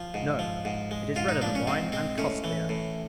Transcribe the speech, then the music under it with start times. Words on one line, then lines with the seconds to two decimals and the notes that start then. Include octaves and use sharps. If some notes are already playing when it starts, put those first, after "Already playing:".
No! It is redder than wine, and costlier.
Already playing: F3
0.14 G#2
0.39 F3
0.65 G#2
0.91 G#3
1.16 G#2 F4
1.29 D#4
1.42 F3 D4
1.55 C#4
1.67 G#2 C4
1.92 G#3 C4
2.18 A2 C#4
2.44 E3
2.69 A2